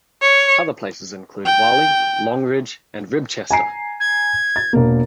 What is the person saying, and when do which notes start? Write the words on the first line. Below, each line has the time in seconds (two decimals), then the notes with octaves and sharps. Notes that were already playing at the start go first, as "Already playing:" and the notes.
Other places include Whalley, Longridge and Ribchester.
0.22 C#5
1.45 G5
3.51 G#5 A#5 C7
4.00 G#6
4.56 A6
4.73 E1 A#3